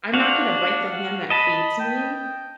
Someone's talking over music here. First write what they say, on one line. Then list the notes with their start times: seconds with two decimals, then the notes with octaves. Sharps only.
I'm not gonna bite the hand that feeds me.
0.14 D4 F#4 F5
1.30 D#5 A5 B5
1.80 G5